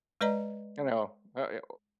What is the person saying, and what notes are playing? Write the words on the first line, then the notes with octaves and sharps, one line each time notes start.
you know, uh yeah, well
G#3 B4 D5 D#5 A#5